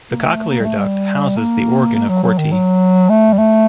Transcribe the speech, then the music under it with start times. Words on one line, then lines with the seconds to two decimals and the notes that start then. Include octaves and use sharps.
The cochlear duct houses the organ of Corti.
0.11 A#3
0.21 A3
0.50 A#3
0.60 G3
0.65 A3
0.78 G3
1.37 A#3
1.95 A#3
2.09 F#3
2.23 F#3
2.38 D#3
2.52 F#3
3.10 A3
3.33 G3
3.38 A3